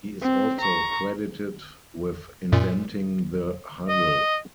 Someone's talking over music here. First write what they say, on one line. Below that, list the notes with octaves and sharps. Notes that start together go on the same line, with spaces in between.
He is also credited with inventing the huddle.
C4
A#5 C#6
F#2 A#2
D#5